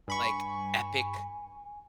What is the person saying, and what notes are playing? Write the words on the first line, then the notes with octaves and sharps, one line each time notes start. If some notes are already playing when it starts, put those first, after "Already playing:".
like, epic
G2 G#5 B5 C#6